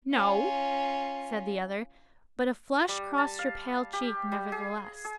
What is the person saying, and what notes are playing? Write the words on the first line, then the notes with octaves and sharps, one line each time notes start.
"No," said the other; but a flush crossed her pale cheek, nevertheless.
C#4 F4
G3
A5
F5
G4
G3
G#4
G#4